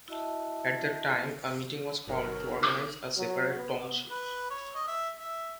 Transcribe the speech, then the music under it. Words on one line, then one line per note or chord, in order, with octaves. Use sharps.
At that time a meeting was called to organize a separate township.
E4 F#4 D#5 E5 A5
G1 B2 F#3 D#4 A#4
F#3
B3
B4
C#5
D#5
E5
E5